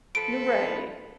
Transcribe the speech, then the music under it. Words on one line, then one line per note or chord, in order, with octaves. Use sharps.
You're right.
F3 A4 B4 D7